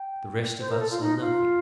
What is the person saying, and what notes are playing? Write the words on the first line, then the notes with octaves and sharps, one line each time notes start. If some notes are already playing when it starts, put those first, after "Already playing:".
The rest of us are nothing.
Already playing: G5
C5
A#4
A4
F4
D#4
F4